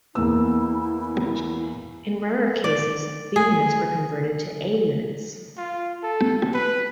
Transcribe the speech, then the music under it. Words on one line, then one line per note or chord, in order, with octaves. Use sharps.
In rarer cases, B units were converted to A units.
E2 A#3 E4 E6
D5
G#4
F4
A4
B4